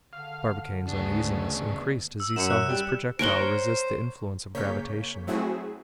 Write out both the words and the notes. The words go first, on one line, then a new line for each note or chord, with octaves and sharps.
Barbicane's uneasiness increased as he saw his projectile resist the influence of gravitation.
D3 F5
D2 C#3 B3 D4
E6
F#2 C#7 E7
F#6
G3
A#4 C5 C#5 F#5 D7 G7
C#3 A#3 C#5 G6 B6
F#3 A3 C4 E4 F#4 G#4